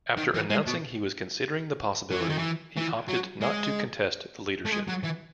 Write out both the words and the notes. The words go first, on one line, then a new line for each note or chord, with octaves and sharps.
After announcing he was considering the possibility, he opted not to contest the leadership.
D#3
E3
G#3
B2
F#3
E3
D#3
E3
E3
F#3
G#3
A3
G#3
F#3
E3